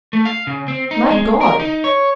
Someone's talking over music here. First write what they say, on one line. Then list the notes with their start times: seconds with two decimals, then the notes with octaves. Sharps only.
My God!
0.13 A3
0.25 F5
0.47 C#3
0.68 C4
0.91 D#4
1.11 G#3
1.41 A#4
1.60 D#4
1.84 C#5